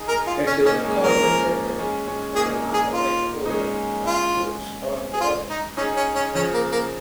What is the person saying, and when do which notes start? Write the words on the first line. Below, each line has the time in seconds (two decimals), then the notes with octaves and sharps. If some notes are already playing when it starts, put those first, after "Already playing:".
It is a colorless liquid with an apple-like odor, that floats on water.
Already playing: D#4 G#4
0.08 A#4
0.27 F4
0.47 C#4
0.65 A#3 C#4 D#4
0.85 G#3 C#4
1.03 F3 A#3 A#4
1.22 F3 A#3
1.79 G#3 C#4
2.08 G#3 C#4
2.36 A#3 D#4 G#4
2.74 G#4
2.94 F4
3.45 D#4
3.49 G#3 C#4
4.07 F4
5.13 G#4
5.21 F4
5.50 D#4
5.77 C#4 D#4 G#4
5.97 C#4
6.15 C#4
6.35 C#3 F3 C#4
6.54 A#3
6.72 A#3